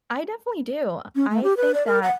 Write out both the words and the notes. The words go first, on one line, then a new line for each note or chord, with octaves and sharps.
I definitely do. I think that,
C#4
A3
G4
B4
D5
A#4
F#5